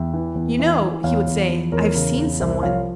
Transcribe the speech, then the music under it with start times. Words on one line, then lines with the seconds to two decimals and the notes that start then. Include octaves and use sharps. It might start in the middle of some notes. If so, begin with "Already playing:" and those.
"You know," he would say, "I've seen someone."
Already playing: E2 E5 G5
0.14 E3
0.35 E2
0.59 E3
0.81 E3
1.04 E2 C#5 F5
1.27 E2
1.49 F3
1.72 E2 A#4 C#5
1.95 C#3
2.17 E2
2.40 C2 C5 E5
2.63 F3 C#5 F5